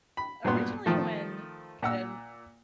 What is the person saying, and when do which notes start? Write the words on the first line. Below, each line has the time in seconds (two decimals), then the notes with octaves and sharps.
originally when, kind of,
0.17 B5
0.45 G2 A#2 F#3 B3 C6
0.86 D#3 F3 A3
1.82 A#2 F#5 E6